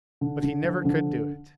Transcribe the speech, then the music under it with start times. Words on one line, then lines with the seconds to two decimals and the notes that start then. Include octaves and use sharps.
But he never could do it.
0.21 D3
0.43 D3
0.63 F3
0.85 D3